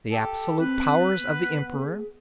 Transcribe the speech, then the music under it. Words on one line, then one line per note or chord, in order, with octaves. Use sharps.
The absolute powers of the Emperor.
G4 A4
C4 B4
B3
G#4